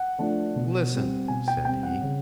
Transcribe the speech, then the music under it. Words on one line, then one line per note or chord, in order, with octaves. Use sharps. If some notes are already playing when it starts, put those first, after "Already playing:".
"Listen," said he.
Already playing: F#5
F3 A3 D4
B2
G3 C4
B2 G#5
G5
G3 C4 G5
F#5
C#3